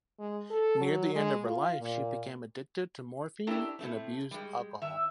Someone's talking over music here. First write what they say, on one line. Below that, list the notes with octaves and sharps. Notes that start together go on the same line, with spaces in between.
Near the end of her life she became addicted to morphine and abused alcohol.
G#3
A4
F#3
G#3
F4
A#2
C#4 D4 E4 G4 A4 A#4
A2 A3 C4
G3 G#3
D#3 E5